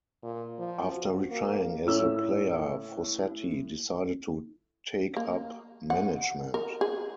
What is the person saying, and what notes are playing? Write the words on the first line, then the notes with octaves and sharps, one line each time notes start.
After retiring as a player, Fossati decided to take up management.
A#2
F3
F#4
A#3
A2 C#4 A4 E6
A#3
F#5
A#4
G#4